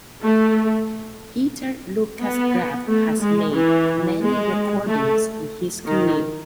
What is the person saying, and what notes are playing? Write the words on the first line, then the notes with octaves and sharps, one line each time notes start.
Peter-Lukas Graf has made many recordings in his career.
A3
B3
A3
G#3
E3
G#3
A3
D#3